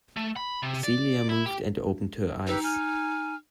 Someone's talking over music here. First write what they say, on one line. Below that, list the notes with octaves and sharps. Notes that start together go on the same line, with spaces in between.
Celia moved and opened her eyes.
A3
B5
C3
D5
E4
G4
D#4 G4 B4 E6
G#5 F6